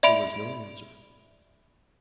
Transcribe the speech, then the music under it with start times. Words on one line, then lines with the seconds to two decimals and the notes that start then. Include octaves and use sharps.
There was no answer.
0.03 D5 E5 B5 D7 F7